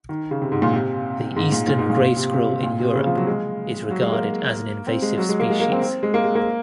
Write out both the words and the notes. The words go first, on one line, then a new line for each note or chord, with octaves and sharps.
The eastern grey squirrel in Europe is regarded as an invasive species.
D#3
C#3
C3
G#2
A#2
C3
G#2
A#2
A#2
G#2
A#2
A#2
C3
C3
A#2
C3
C#3
F3
F#3
G#3
F#3
G#3
A#3
C4
G#3
F#3
G#3
A#3
G#3
A#3
C4
C4
G#3
A#3
G#3
A#3